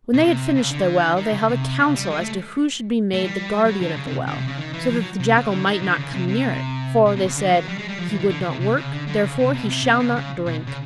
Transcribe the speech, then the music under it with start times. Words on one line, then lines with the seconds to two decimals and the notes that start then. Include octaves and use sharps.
When they had finished their well, they held a council as to who should be made the guardian of the well, so that the jackal might not come near it, for, they said, 'he would not work, therefore he shall not drink.'
0.14 B2
0.24 C3
0.55 C#3
0.70 D3
1.17 D#3
1.32 C#3
1.48 C3
1.79 C#3
1.95 G3
2.10 G#3
2.21 A3
3.14 A3
3.24 G3
3.65 F#3
3.81 D3
3.96 C#3
4.07 C3
4.27 D3
4.37 C3
4.48 C#3
4.58 D#3
4.73 E3
4.89 F3
4.99 F#3
5.20 C3
5.35 C#3
5.51 D3
5.66 D#3
5.82 D3
5.98 C#3
6.13 C3
6.28 C3
7.06 C3
7.16 B2
7.27 C#3
7.36 D3
7.52 F#3
7.68 G3
7.78 G#3
7.88 G3
7.98 F3
8.09 E3
8.19 D#3
8.29 D3
8.40 C#3
8.50 C3
8.60 C3
8.76 C#3
8.91 D3
9.07 D3
9.23 C#3
9.38 C3
9.54 B2
9.69 C3
9.84 C3
10.00 C#3
10.16 C#3
10.46 B2
10.67 C#3